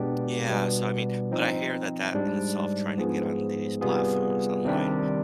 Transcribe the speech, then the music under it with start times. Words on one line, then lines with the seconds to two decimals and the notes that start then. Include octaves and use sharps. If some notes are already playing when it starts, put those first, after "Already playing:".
yeah, so, I mean but I hear that that in itself tryna get on these platforms online,
Already playing: B2 G#3 B3 D4 G4
0.48 B2 G3 B3 D4
1.31 F3 C4 D#4
2.14 G#2 G3 D4
2.98 G#2 F3 B3 F4 G#4
3.81 C3 G3 B3 F4 G#4
4.65 C3 D#3 G3 D4 G4